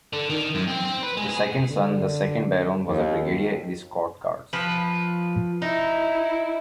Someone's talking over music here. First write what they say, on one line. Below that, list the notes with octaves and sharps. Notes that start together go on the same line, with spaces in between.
His second son, the second Baron, was a Brigadier in the Scots Guards.
D3
D#3
F#2
C4
C4
B4
G#3
G#4
D3
D#2
F3 B4
D#4 E4